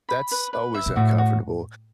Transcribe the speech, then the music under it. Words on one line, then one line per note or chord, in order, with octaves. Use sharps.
that's always uncomfortable,
B5
B4
B4
E5
B2
A2 F#4
F#4